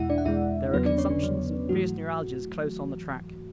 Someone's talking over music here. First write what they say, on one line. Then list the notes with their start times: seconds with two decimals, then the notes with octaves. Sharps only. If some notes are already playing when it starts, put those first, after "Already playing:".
There are consumptions and fierce neuralgias close on the track.
Already playing: E2 B2 G#3 E4 E5 F#5
0.10 D4 D5
0.18 F#5
0.25 E2 B2 G#3 E4 E5
0.73 E2 C#3 F#3 B3 B4
0.85 D4 D5
0.98 C#4 C#5
1.10 D3 D4
1.21 E2 C#3 F#3
1.69 G#2 E3 F#3 A3 F#4